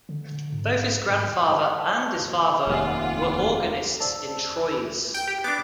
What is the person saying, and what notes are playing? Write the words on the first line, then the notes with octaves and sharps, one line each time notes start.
Both his grandfather and his father were organists in Troyes.
D3
G#2
G#2
C5 A5 C6
F1 D#2 C3 F4 E5 F#5 G#5 D6
C5 D5 A5 E6
G5
G4
B3 D4 D6